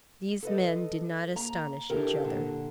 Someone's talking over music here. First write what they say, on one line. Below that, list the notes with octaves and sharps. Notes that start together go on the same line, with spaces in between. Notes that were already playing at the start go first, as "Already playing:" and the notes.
These men did not astonish each other.
A4 B4 D#5
A#3 A#5
D4 E4 G4 A4 A#4
A#2 D3